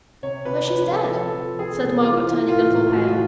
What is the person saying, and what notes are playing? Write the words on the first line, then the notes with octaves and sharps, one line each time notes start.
'But she's dead!' said Margaret, turning a little pale.
C3 C#5
C3 B4
F3 B4
C3 A4
C3 A4
F3
F3 G#4
C3
E3 F4
E3
A2 F4
A2
E3 F#4
F4